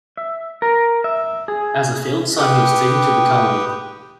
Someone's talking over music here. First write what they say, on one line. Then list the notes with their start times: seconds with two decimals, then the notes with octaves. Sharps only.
As a failed son he was taken to the colony.
0.17 E5
0.62 A#4
1.04 E5
1.48 G#4
2.38 G4 B4 G5 C#6 D#6